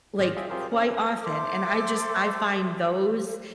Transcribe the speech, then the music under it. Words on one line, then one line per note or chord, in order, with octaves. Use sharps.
like, quite often, and I just I find those
G#1 G#4 C5 D5 F6 A#6
F4 G#4 C5 D#5 E5 G5
C4 F4 G4 G#4 A#4 C5
C4 C#4
B4 C5 G#5
A4 C5 E5 D6